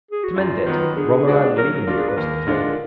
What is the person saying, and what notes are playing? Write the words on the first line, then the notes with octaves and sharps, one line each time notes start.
To mend it, Romarin leaned across the table.
G#4
F#4
F#2 F4
D#3 F#3 B3
D3 G#4
G#3 D4 F#4 D5
F#3 A#4
A#4
D4 F4 F#4
G#4
B4
D#2 A#4
D3 G#3 D4 F4